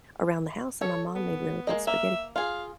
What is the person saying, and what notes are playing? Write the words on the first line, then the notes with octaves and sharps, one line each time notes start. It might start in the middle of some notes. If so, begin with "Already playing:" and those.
around the house, and my mom made really good spaghetti.
A4 C#5
B3
G#3 A#3 D#5
A#3 E5
F4 G#4 F5